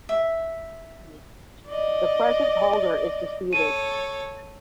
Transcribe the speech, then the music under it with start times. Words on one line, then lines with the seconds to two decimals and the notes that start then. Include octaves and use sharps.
The present holder is disputed.
0.09 E5
1.67 D5 D#5
3.53 A4 C#5 D#7